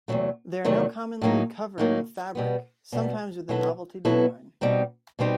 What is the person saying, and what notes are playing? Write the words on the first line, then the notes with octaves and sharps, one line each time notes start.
They are now commonly covered in fabric, sometimes with a novelty design.
E2 C3 D#3 F#3 A3
E2 C3 D#3 F#3 A3
A2 F#3 A#3 D#4
A2 F#3 A#3 D#4
B2 G3 B3
B2 G3 B3
B2 F#3 B3 E4 A4
B2 F#3 B3 E4 A4
B2 G3 C4 D#4
B2 G3 C4 D#4